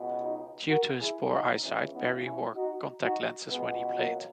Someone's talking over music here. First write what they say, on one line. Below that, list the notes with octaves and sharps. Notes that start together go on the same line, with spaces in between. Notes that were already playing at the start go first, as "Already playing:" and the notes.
Due to his poor eyesight, Berry wore contact lenses when he played.
Already playing: C#2 B2
D#4 F#4
F#4 A#4
E4 G#4
D#4 F#4
C#2 C#3 E3 C#4 E4
B3 D#4
C#4 E4
D#4 F#4
D#4 F#4
C#2 B2 G#3 B3
F#3 A#3